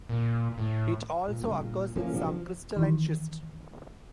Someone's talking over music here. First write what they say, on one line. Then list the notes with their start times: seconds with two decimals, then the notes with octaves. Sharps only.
It also occurs in some crystalline schist.
0.09 A#2
0.58 A2
1.28 A#2
1.42 G2 A#2 C#3
1.61 A#2
1.96 F3 A3 A#3 C#4
2.13 C3 F3 D4
2.25 F3
2.76 D#3 E3